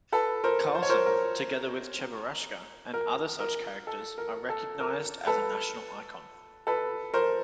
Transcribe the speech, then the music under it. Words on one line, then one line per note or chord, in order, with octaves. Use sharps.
Karlsson, together with Cheburashka and other such characters, are recognized as a national icon.
A4 B4
A#4 C5
C5
C#5
A#4 C5
A#4
A#4
A#4
A4
A#4
A4
A#4
A4 B4
A4 B4
A#4 C5